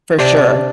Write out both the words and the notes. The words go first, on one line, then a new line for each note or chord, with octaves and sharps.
for sure.
C3 D4